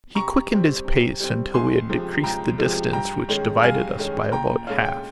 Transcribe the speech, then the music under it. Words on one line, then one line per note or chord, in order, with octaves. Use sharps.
He quickened his pace until we had decreased the distance which divided us by about half.
C3 A#5 C#6
G3 C4
C3
G3 C4
C#2 G#5 C6
C3 F3 G#3
C#2 G5 A#5
C3 F3 G#3
G2 G5 A#5
D#3 G#3 C#4
G2 F5 G#5
D#3 G#3 C#4
A#2 G5 A#5
G#3 C#4 F5
G5